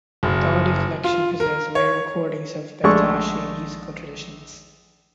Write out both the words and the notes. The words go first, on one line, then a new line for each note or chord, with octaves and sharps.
The audio collection preserves rare recordings of Bektashi musical traditions.
F#1
F4
A#4
C#5
A#1 G#3 A3 D5 C#6